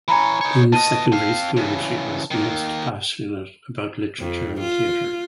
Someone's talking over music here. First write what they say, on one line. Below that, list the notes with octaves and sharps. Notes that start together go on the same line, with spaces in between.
In secondary school she was most passionate about literature and theater.
E3 C#5 G#5 A#5 B5
D#4 C#5
B2 D#5 A5 D#7
C4 F5
C#3 E3
D#3 A#3
F2
F4